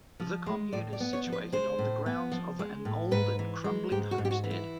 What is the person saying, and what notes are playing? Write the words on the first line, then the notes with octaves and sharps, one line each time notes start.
The commune is situated on the grounds of an old and crumbling homestead.
F3
G#3
A2 D5
D5
B3
C#5
F3
B4
G#3 C5
A2
B3
F3
G#3
A2
G#2 B4
E3
G#3
G#2 G4
F#4
G#2
G4
F#4
E3
E4